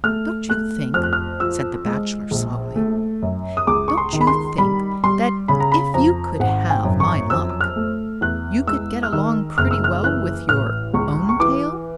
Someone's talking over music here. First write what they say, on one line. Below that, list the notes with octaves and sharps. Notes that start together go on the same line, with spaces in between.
"Don't you think?" said the Bachelor slowly, "don't you think that, if you could have my luck, you could get along pretty well with your own tail?"
A3 F6
A3 F#6
F2 F6
F#6
F6
F3 E6
G#3
A#1
A3
F#2
D#6
C#2 D6
C#6
C6
D#3
B5
C6
G3 B5
G3 C6
C#3 B5
A#5
B5
F2 A#5
G#1 F#5
G5
F#2
C#6
F2 E6
F6
A3
E2 F#6
G#3 E6
F6
D#3 E6
F#1 F6
E6
F6
E3 F#6
A1 F6
C#2 C#6
C#6
E3 D6